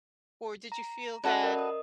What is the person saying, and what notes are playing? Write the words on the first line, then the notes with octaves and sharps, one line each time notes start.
Or did you feel that
A#5
C#4 F#4 A4 B4 D5 E5
A#4 D#5
D#6